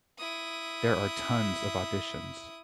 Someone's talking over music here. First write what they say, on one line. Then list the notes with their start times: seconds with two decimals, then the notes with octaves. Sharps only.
There are tons of auditions.
0.19 E4 D#6